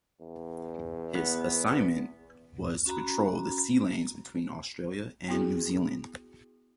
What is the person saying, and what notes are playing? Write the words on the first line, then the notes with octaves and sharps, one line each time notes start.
His assignment was to patrol the sea lanes between Australia and New Zealand.
E2
B3
C#4 F#4 A#5 B5
B3 E4 F#4 G#4